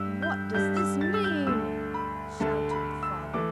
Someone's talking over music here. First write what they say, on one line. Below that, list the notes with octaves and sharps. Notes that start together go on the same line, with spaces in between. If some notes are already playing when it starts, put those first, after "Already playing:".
"What does this mean?" shouted the father.
Already playing: G2 G3 E6
G6
G2 G3 G6
E6
A6
E6
G6
D2 D3 A3 E6
B5
D2 D3 A3 A5
B5
E6
E3 A3 D6